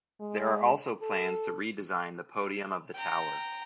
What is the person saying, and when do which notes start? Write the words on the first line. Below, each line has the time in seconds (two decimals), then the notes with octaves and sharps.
There are also plans to redesign the podium of the tower.
0.20 G#3
1.02 A4
2.94 G5 A#5